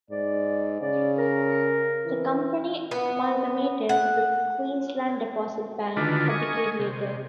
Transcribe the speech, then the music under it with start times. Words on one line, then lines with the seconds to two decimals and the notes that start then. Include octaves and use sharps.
The company amalgamated with Queensland Deposit Bank a decade later.
0.10 G#2 D5
0.81 C#3 D5
1.18 A#4
2.06 E3
2.91 B3
3.89 F#5
5.97 D3 D#3 D4 F4 F#4 B4
6.29 D#5 G#5 C#6
6.79 C3